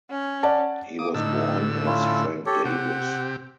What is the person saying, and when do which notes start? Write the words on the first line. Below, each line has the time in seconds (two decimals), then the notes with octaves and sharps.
He was born as Frank Davis.
0.11 C#4
0.43 D5 F#5 A5
0.99 A#3 D6 D#6
1.14 A2 D3 D#4 E6
1.86 C#4 E4 F4
2.46 G4 A4 C#5
2.65 C3 G4 F#5